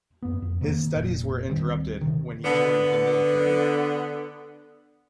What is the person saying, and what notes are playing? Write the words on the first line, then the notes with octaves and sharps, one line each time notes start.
His studies were interrupted when he joined the military.
F#2 A#3 B3
F2
C3 D#3 G3 A#3
F1 A#2
D1 D#3 G3 C4
C3 D#3
D3 B3